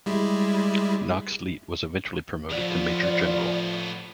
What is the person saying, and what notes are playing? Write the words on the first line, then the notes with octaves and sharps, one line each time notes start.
Knox-Leet was eventually promoted to Major General.
G3 G#3 E4
A2 F3 B3 D5